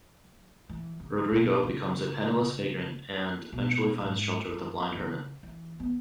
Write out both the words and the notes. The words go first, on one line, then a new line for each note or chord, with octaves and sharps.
Rodrigo becomes a penniless vagrant, and eventually finds shelter with a blind hermit.
E3
C#3
G#2
B2
C#3
B2
G#2
F#2
C#3
E3
B3